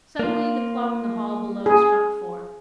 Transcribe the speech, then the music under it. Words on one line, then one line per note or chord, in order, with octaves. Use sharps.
Suddenly the clock in the hall below struck four.
A#3 F4
G#4